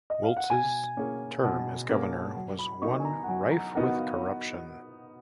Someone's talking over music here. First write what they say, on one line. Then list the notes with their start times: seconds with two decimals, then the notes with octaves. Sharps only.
Wiltz's term as governor was one rife with corruption.
0.10 D#5
0.23 F5
0.37 F#5
0.50 B2 G#5
0.97 A#3 C#4 G#4
1.43 B2
1.89 A#3 C#4 G#4
2.36 F#3
2.59 B5
2.82 B3 D#4 F#4 A#4 C#6
2.99 G#5
3.05 A#5
3.23 F#5
3.28 F#3 G#5
3.51 A#5
3.75 B3 D#4 F#4 A#4 F#5
3.98 F5
4.14 C#5